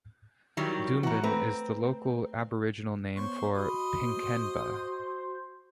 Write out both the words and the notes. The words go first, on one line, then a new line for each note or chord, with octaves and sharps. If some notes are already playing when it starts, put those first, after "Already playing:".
Doomben is the local Aboriginal name for Pinkenba.
D#3 F#3 G3 E4
B2 E3 E4 F#4 A#5
A3 C4 B4 A#5
B3 C5 C#5 C6 C#6
F#4 D#5 B5 C6 D#6
C5